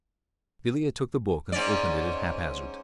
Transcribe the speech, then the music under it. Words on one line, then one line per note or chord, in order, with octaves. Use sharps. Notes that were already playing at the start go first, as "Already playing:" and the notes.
Villiers took the book, and opened it at haphazard.
G#2 C#4 D5